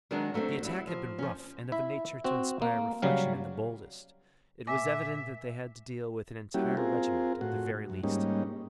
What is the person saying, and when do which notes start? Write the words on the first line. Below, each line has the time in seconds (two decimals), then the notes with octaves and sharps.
The attack had been rough, and of a nature to inspire reflection in the boldest. It was evident that they had to deal with an entire regiment at the very least.
0.11 D#3 F#3 G#3 D4
0.34 F#3 A3 B3 C4 D4
0.62 F#3 G3 E4
0.87 F3
1.19 F3 C#4
1.72 E4 E5
2.24 C4 F#4
2.62 A#3
3.02 C#3 F#3 G3 F5
4.67 A#2 E5 G#5 D6
6.54 G3 A#3 C#4 E4 F#4 G4
6.77 C4 F4 G#4 A#4
7.41 A2 F#4
7.90 F#2
8.03 G#2 G3 A#3 C#4 D#4